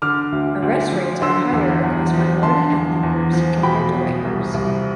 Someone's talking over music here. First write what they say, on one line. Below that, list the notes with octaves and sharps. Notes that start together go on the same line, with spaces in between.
Arrest rates are higher across minority ethnic groups compared to white groups.
D3 D6 F6
D2
D2
F3
D3 C6 E6
E2
E2
F3
D3 A5 C6
E2
E2
F3
B2 G5 B5
B2
C2
C2